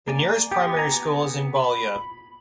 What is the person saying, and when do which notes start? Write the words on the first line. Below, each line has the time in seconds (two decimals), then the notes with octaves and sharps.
The nearest primary school is in Boulia.
0.08 A#3 D5 G#5
0.52 B3 G4 D6 D#6
0.77 G#5 A#5
1.56 B5